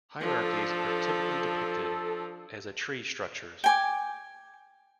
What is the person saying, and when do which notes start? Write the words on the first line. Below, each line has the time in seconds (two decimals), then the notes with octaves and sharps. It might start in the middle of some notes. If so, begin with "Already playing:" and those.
Hierarchies are typically depicted as a tree structures.
0.21 F3 D4 A4
3.64 G5 G#5 D6